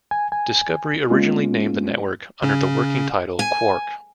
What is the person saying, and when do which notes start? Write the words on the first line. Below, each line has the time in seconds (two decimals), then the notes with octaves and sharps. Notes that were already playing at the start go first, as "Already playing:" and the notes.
Discovery originally named the network under the working title Quark!
0.11 G#5
0.32 G#5
1.10 G#3 A#3 B3 C#4 F4
2.42 C#3 C#4
3.39 G#5